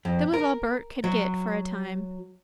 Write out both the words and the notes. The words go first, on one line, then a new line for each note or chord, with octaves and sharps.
That was all Bert could get for a time.
F2
A#4
F#3